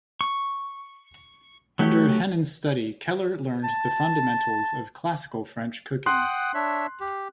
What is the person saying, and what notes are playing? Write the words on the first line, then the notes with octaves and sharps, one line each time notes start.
Under Henin's study, Keller learned the fundamentals of classical French cooking.
C#6
F#3 A3 F#4 G4
A5
F#5 G5 C6 D#6 F#6
D4 C#5 E5
G4